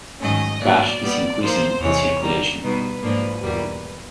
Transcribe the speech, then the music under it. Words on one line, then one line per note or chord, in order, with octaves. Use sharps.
Cash is increasing in circulation.
G#2 D#3 F#3 A3 C#4 D#5
A#2 F#3 B3 D5
A#2 G3 B3
A#2 F3 A#3 C5
E2 C3 E3 G#3 C#5
D3 G3 A#3 D#4
B2 G3 B3 D#4 B4
G#2 F3 A#3 D4
E2 B2 G3 A#3